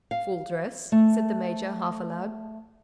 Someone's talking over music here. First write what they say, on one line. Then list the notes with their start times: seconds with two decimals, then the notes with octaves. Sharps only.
"Full dress?" said the major, half aloud.
0.11 F5
0.92 A3